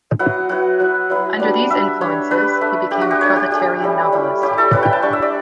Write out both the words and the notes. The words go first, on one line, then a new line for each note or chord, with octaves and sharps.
Under these influences he became a proletarian novelist.
F#3 B3 E4 F#5
F#3 B3 E4 F#5
F#3 B3 E4
F#3 B3 E4
G3 D4
G3 D4 E5
G3 D4 C#5
G3 D4 B4
A3 D4
A3 D4 G4
F#4
G4
A3 D4 C#5
G4
A3 D4 G4
G3 C#4 E4
G3 C#4 E4
G3 C#4 E4 G4
A4
G3 C#4 E4 B4
G5
A5
G3 D4 C#6
E5
D5